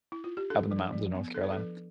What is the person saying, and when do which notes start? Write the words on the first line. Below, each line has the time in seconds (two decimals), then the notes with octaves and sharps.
up in the mountains in North Carolina.
0.12 E4
0.24 F4
0.37 G4
0.50 D4 A4
0.71 F3
0.92 F3
1.14 B3
1.34 D4 A4
1.43 B4
1.52 F3 A4